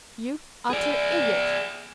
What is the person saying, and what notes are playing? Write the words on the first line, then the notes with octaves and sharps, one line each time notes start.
You utter idiot!
G#4 D5